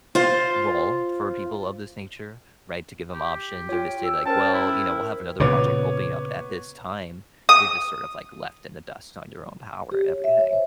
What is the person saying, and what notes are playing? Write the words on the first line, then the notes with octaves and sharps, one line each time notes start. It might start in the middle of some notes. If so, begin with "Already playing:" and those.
role for people of this nature, right, to give ‘em options or to say like, "Well, you know, we'll have another project opening up at this time." You're just sort of, like, left in the dust, on your own power and everything.
F4 C5
G4
F4 C#5 G5
E6
C#4 A#4 C5 G5 A5
E4
A#2 C#3 B3 C#5 D6
D#6
G4
C#5
E5
C#5
C5